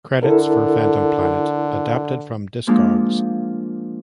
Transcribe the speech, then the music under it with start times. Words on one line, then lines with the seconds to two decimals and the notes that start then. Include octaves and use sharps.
Credits for "Phantom Planet" adapted from Discogs.
0.23 D3 E4 A4 A#4
2.67 F3 G#3 A#3 D4 F4